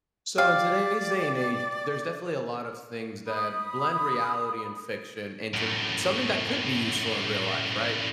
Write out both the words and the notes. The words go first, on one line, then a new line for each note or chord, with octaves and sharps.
So, in today's day and age, there's definitely a lot of things that blend reality and fiction into something that could be useful in real life. Right?
G4 D5 F5
B5 D#6
F#2 A2